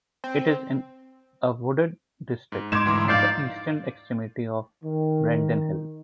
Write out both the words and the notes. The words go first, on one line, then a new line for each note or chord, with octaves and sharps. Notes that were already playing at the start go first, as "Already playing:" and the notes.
It is in a wooded district at the eastern extremity of the Brendon Hills.
C4
G#2
G#2 D#4 C6 D6 G#6 E7
D2 E3 A#5
F3 D#4 D5 F5 G6 C7
D#3